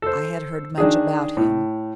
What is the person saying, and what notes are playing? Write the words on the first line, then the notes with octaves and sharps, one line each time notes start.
I had heard much about him.
A4 C5
D#3 D4 G#4
A2